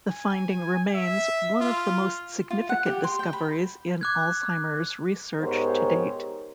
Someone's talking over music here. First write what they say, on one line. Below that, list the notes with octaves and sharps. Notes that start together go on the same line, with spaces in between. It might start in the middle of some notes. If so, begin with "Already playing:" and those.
The finding remains one of the most significant discoveries in Alzheimer's research to date.
G#5
E5
F4
F4
F#5
G4
C6
G5
B5
D6 F#6 G#6
G#2 B3 G4 A#4 C5 C#5